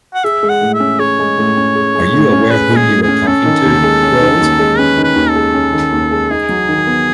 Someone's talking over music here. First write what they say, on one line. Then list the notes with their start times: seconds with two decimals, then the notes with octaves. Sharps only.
Are you aware whom you are talking to, Rose?
0.14 F#5
0.24 G#4 E5
0.43 G#3
0.49 F#5
0.61 A2
0.74 E5
0.80 C#4
0.99 G#4 C#5
1.19 G#3
1.38 A2
1.57 C#4
1.75 G#4
1.95 G#3
2.13 A2
2.32 C#4
2.51 G#4 B4
2.70 G#3
2.76 G#4
2.90 A2
3.02 G#4
3.08 C#4
3.27 C#4 A4
3.45 D#3
3.65 D#2
3.83 G#3
4.03 C#4
4.21 D#3
4.41 D#2
4.59 G#3
4.78 C#4 B4
4.98 D#3
5.04 B4
5.16 D#2
5.29 A4
5.36 G#3
5.54 C#4
5.73 D#3
5.92 D#2
6.11 G#3
6.30 D#4 G#4
6.49 F#3
6.69 D#3
6.87 B3